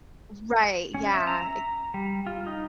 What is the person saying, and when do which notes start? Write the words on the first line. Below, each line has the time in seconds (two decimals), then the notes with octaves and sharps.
r right, yeah i
0.94 C#4
1.14 E5
1.27 A#5
1.94 G3
2.27 F4
2.47 D#4